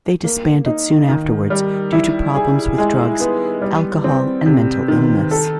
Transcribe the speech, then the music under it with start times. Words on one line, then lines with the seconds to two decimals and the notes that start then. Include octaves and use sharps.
They disbanded soon afterwards due to problems with drugs, alcohol and mental illness.
0.24 A#3
0.66 D#4
1.09 D#3
1.50 G3
1.93 E4
2.35 G#4
2.78 G#3
3.20 B3
3.62 G3
4.04 C4
4.46 C3
4.88 D#3
5.31 A4